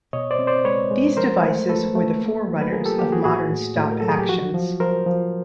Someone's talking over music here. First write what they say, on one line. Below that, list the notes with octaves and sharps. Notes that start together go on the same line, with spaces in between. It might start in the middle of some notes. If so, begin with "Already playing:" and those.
These devices were the forerunners of modern stop actions.
B2 C#5 D#5
C5 D5
C4
C5 D5
G#3 B4 C#5
G#3
F3 A#4 C5
A3
A3 A4 B4
A3
A#3
F#3
B4
F4 G#4 A#4
G4 A4
A#3 G4
F#4 G#4
A2 F#4 G#4
A2
A2
A#4
F#3 A4
G#4
G4
F3 F#4
F3
F3 A#4 C5
F3